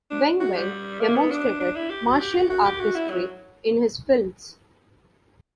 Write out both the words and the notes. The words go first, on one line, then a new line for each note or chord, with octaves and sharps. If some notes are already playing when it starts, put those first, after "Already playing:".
Weng Weng demonstrated martial artistry in his films.
D4
F#4
G3
A#3
B3
D4
D4
E4
G4
F#4
G4
F#4
F#4
G4
F#4
E4
F#3